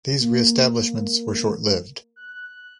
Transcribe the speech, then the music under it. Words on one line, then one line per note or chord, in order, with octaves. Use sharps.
These re-establishments were short lived.
A#3
F#6